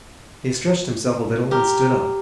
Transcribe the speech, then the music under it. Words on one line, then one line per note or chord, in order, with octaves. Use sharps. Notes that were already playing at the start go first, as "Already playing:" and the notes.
He stretched himself a little and stood up.
G4 A#4